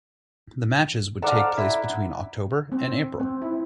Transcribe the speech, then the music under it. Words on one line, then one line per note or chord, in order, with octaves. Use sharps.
The matches would take place between October and April.
A4 C5 D5 F5 F#5 A#5
E4
C4
C4
E4